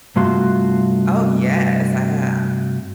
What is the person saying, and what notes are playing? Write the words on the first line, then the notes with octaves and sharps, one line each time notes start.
Oh yes, I have.
G2 C3 A3 F4 F#4 C6